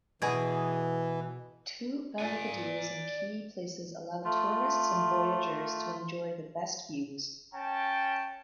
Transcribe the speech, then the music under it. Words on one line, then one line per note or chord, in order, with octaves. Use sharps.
Two belvederes in key places allow tourists and voyagers to enjoy the best views.
B2 E3 G#4
D5 G#5
A3 F4
C#4 G5 A5